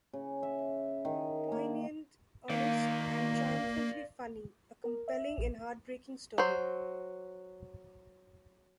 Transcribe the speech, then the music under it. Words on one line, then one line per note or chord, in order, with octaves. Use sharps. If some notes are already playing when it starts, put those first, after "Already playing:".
Poignant, honest and triumphantly funny... A compelling and heartbreaking story.
C#3
E5
D#3
A#3
D#3 A#3 D5 F5
A#4
E5
A#1
F#3 C5